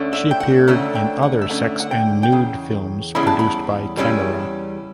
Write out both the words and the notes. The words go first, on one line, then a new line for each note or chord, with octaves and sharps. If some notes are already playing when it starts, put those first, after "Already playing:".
She appeared in other sex and nude films produced by "Kamera".
Already playing: D2 D3 A3 C#4
E5
G5
F#5
D2 D3 A3 C#4 E5
G5
F#5
E5
D2 D3 A3 C#4 F#5
F#5
G5
G5
E2 C#3
E2 C#3 G3 C#4 E4 B5
A5
B5
E2 C#3 G3 C#4 E4